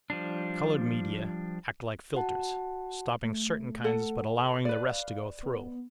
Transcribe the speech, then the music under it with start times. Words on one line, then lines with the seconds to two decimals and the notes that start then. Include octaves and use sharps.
Coloured media act like filters, stopping certain kinds but allowing the rest to go through.
0.10 F3 G3 D4
2.15 F#4 F#5 A5
3.24 A3
3.84 A4 F#5
4.65 B4 D5 F5
5.43 B3